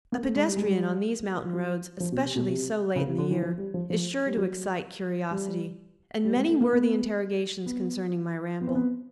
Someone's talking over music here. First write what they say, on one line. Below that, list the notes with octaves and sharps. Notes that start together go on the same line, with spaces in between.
A pedestrian on these mountain roads, especially so late in the year, is sure to excite curiosity, and many were the interrogations concerning my ramble.
A#3
A3
G#3
G3
G#3
G3
F#3
F3
B2
C3
B2
C3
C#3
C3
D3
E3
F3
G3
F3
F3
G3
F#3
G3
G3
G#3
A3
A#3
B3
B3
B3
C4
B3